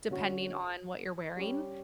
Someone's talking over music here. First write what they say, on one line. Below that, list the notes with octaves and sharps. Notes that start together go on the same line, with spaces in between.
depending on what you're wearing,
D3 F#3 C#4 F#4
G3 C#4 G4